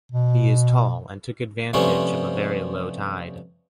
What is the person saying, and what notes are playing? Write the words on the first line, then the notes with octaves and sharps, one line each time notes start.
He is tall and took advantage of a very low tide.
B2
C3 F3 G3 A3 B3 C#4